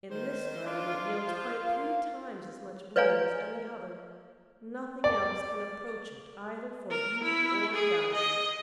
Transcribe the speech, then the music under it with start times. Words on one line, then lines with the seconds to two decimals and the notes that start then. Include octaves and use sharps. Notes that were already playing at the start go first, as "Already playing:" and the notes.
In this garden it yields quite three times as much bloom as any other; nothing else can approach it either for beauty or bounty.
0.11 D#3 C5
0.66 D4 F4
1.26 F3
1.64 A#3 F5
2.96 B4 C#5 D5 F5 G#5 A#5
5.04 D5
6.90 A#4
7.23 E4
7.74 G#4
8.14 D#5